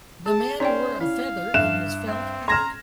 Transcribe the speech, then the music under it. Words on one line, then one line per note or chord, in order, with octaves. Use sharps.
The man wore a feather in his felt hat.
G#4 A5
C#4 D#4 C5 D5 G5
E4 F5
G2 E5 F#6 E7
C4
A#5 C6 F6 G#6 A#6 E7